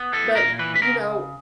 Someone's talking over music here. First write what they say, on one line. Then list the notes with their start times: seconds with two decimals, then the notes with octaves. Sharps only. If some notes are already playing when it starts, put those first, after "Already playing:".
But y you know,
Already playing: B3
0.13 E4 A4
0.35 A#2 A#4
0.59 E3 B4
0.75 B4
0.82 C#3 A#4